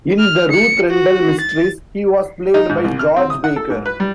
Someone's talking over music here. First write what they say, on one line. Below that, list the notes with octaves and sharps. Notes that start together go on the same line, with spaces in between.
In "The Ruth Rendell Mysteries" he was played by George Baker.
F6
C#7
F#4
A6
D#4
G#2
C2
F6
C4
D#6
F#5
A4
G#2
B4
G3